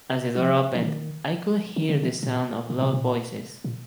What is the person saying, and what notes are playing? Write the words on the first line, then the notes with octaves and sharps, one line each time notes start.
As the door opened I could hear the sound of low voices.
F3
E3
D#3
D#3
D3
D#3
A#2
A#2
B2
A#2
A#2